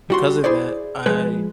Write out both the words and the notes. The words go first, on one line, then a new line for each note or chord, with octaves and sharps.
because of that, I
G3 F#4 C6
E4 G#4 C5 D5
F3 G#3 B4